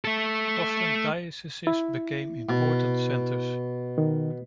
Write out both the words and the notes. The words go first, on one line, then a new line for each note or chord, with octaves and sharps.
Often dioceses became important centres.
A3 A4
E4
B2
D#3